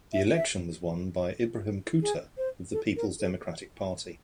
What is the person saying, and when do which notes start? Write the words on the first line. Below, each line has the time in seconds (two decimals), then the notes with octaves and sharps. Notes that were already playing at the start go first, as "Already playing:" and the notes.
The election was won by Ibrahim Kuta of the Peoples Democratic Party.
0.13 E5
0.36 E5
2.02 G#4
2.37 C5
2.73 A4
2.96 A#4
3.20 A4